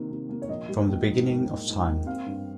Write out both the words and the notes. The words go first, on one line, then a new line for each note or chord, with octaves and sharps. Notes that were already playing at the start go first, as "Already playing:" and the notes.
From the beginning of time.
Already playing: C3 D#3 A#3
C3
A#3
C#5
A#1 D#5
G3
A#1
G#2
A#3
A#3
G#2
A#3
C4 F5
G2